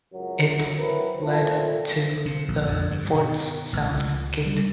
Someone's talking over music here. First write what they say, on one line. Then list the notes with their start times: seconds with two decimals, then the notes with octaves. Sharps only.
It led to the fort's south gate.
0.13 C#2 F#2 F#3
0.79 F#3 C4 E4 A#4 B4
1.23 A#2 F3 A3 C4 A4
2.26 C3
2.48 A#1
2.67 F2
2.91 G2
3.15 B2
3.73 A1
3.90 C#2
4.47 G3